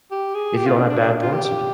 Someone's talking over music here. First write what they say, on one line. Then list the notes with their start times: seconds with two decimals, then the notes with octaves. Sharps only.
if you don't have bad parts of you.
0.11 G4
0.35 G#4
0.56 G4
0.67 F4
0.78 D4
0.90 D4
1.00 D4
1.22 F4
1.33 G4
1.44 G4